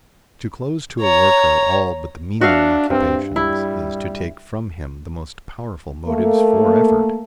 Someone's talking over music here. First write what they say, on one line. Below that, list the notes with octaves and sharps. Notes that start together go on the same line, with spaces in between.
To close to a worker all but the menial occupations is to take from him the most powerful motives for effort.
C#5 A#5
D4 F#4 E5 F5
G2 C4
G3 E4
A3 A#3